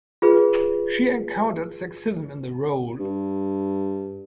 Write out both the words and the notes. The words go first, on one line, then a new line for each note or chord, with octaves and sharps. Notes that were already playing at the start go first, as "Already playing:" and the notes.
She encountered sexism in the role.
F4 G#4 B4
G2